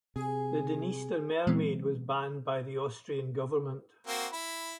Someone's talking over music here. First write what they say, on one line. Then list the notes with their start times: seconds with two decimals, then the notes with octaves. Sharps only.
The "Dniester Mermaid" was banned by the Austrian government.
0.16 C3 G#4
1.47 A#2 E3 F#3 G#3 B3 C4
4.07 A#3 C4 F#4
4.33 E4 B5